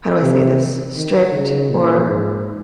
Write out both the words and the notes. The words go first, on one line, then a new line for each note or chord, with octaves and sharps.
how do I say this- strict or,
C3
D#3
C#3
A#2
G#2